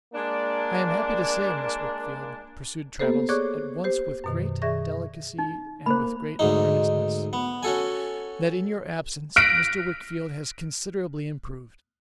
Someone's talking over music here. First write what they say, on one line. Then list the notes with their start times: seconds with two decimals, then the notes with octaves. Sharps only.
'I am happy to say, Miss Wickfield,' pursued Traddles, at once with great delicacy and with great earnestness, 'that in your absence Mr. Wickfield has considerably improved.
0.13 G#3 A#3 D4
2.99 A#3 B3 G4 A4 C5
3.29 G#4 C#5 D5 C#6 D6 F#6
3.84 G4 C5
4.24 F#2 B2 D#3
4.62 D#3 G#4 D5 E5 C#6 A#6
5.39 D#4
5.86 A#3 C5 B5
6.39 D2 G#2 D#4
7.33 B3
7.63 C#4 F#4 A4 G#5
9.36 F6 F#6 A#6 B6 D7